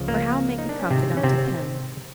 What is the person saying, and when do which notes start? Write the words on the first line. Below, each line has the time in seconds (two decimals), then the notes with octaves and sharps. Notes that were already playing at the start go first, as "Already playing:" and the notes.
For how make a confidant of him?
Already playing: C#2 C#3 F3
0.08 A#3
0.58 D#4
0.69 D4
0.80 C#4
0.90 G#2 C3 D#3 G#3 C4
1.17 C#4
1.23 C3 C4